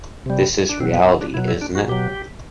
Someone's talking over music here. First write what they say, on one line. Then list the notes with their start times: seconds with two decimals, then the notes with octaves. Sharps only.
This is reality, isn’t it?
0.26 C3 G3
0.69 D4
0.80 B2 F#3 C4
0.93 B3
1.06 C4
1.21 D4
1.34 B2 F#3 E4
1.48 E4
1.61 D4
1.75 F#4
1.88 B2 F#3 G4